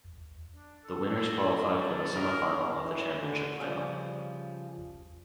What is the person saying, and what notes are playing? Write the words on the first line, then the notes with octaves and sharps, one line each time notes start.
The winners qualified for the semifinal of the championship playoff.
D4
A4
F#3
A5
A#4 D#5
E3
D3
C#3 F3 G3